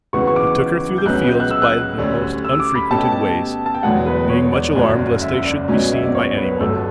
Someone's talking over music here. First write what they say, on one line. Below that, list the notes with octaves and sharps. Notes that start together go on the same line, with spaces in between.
He took her through the fields by the most unfrequented ways, being much alarmed lest they should be seen by anyone.
C#2 C#3 E3 B3 F#4 C#6
C#6
D6
G6
C#2 C#3 F#3 B3 F#6
G6
F#6
E6
F#6
D2 D3 G3 C#4
E6
D6
B5
B2 A3 C#4 G4 A5
A5
G5
E1 E2 D3 F#3 F#5
B4
C#5
D5
F#1 F#2 D3 F#3 C#4
E5
E5
D5
C#2 B2 F#3 C#4
E5
D5
C#5
B4
G1 G2 F#3 A4